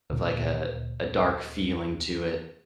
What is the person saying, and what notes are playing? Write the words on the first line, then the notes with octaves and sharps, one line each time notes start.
of like a a dark feeling to it.
D2 A#2